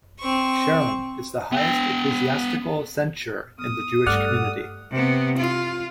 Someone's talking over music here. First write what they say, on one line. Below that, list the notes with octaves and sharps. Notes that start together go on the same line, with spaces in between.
Cherem is the highest ecclesiastical censure in the Jewish community.
C4 C#6
B3 G5
A2 B3 D#6 F6
G2 A3 G4 A4 D5 F#5 F6
C3 B3
F4